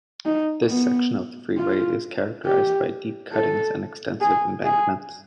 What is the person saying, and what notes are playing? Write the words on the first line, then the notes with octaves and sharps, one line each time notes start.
This section of the freeway is characterised by deep cuttings and extensive embankments.
D#4
B3
F4
G4
A4
G#4
G#4